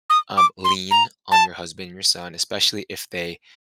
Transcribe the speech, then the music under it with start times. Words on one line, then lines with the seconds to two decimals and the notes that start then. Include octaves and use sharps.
um, lean on your husband and your son, especially if they,
0.10 D#6
0.37 D6
0.64 C6
0.91 A#5
1.32 A5